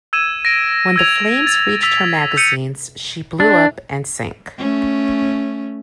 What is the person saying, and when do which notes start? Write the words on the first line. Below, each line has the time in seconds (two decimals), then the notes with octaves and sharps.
When the flames reached her magazines, she blew up and sank.
0.13 E6 G#6 D#7 E7
0.45 A#6 D7
0.96 E6 G#6 F7
1.47 A6
1.82 E6 B6 F7
2.37 E6 G6 C#7 D#7
3.40 D4
4.58 A3 C#4